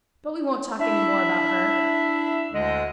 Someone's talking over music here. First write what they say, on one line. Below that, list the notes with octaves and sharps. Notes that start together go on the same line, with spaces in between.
But we won't talk any more about her.
D4 E4 E5
D2 D3 G#3 D#5